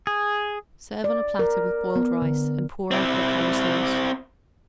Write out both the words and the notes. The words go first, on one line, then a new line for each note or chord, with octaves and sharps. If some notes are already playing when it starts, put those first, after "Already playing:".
Serve on a platter with boiled rice and pour over a curry sauce.
G#4
D5
A#4
B3
D3
C4 E4